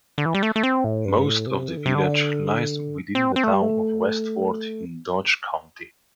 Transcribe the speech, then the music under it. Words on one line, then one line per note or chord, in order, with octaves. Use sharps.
Most of the village lies within the Town of Westford in Dodge County.
D3
E3
G3
A3
A3
C4
A2
G2
A2
C3
E3
D3
C3
D3
C4
C4
A3
G3
A3